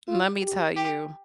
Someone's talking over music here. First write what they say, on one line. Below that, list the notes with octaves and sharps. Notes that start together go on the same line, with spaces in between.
Let me tell you,
F4
G4
G4